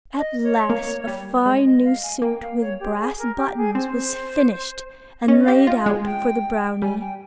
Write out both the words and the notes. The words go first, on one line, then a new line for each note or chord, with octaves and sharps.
At last a fine new suit with brass buttons was finished and laid out for the brownie.
D#5
C#5
A#3
G3
G#3 D#5
D#5
F5
G#5
A#3 G5
F5
C#5
G4
G#4
A#4
G4
G#4
C4 C5
C#4 D#5
G4 F5
D#5
F4
G#3
G5
G3 G#5
G5